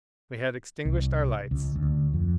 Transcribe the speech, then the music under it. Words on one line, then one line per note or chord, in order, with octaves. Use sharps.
We had extinguished our lights.
C2
C#2
D2
F2